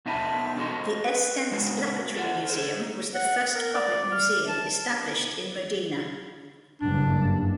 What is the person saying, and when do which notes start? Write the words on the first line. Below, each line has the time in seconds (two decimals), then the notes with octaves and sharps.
The Estense Lapidary Museum was the first public museum established in Modena.
0.06 B2 D#4 E5 G#5 A5 B5
0.57 C#4 F#4 A4 D#5 C6
1.04 B4
1.52 G#3 C#4 F#4
2.16 A4 C5 F#5
2.50 G#4 C5
3.14 F#5
3.54 A#4
3.74 D5
4.12 F6
4.48 A5
6.81 F#1 G2 D4